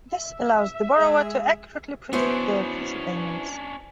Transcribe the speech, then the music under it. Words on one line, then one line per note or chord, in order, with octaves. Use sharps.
This allows the borrower to accurately predict their future payments.
E5
G#3 G#4
E3 B3 C#4 D4 F#4 C5